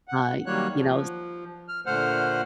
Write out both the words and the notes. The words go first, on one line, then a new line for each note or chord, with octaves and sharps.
uh, you know? S
F#5
D#3 F#3 G3 A#3 C#5 F#6
F3
F6
A#2 D3 A3 C5 F#5 F6